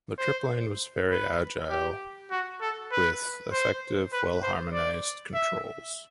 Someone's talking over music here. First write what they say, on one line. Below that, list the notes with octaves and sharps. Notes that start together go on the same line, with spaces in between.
The Triplane was very agile, with effective, well-harmonised controls.
C5
B4
G4
F#4
A4
B4
C5
B4
C5
D5
E5